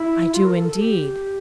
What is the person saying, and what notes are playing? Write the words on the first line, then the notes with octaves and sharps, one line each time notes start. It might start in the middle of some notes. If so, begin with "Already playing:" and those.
"I do, indeed."
Already playing: E4
F4
A#4
A4
A4
G4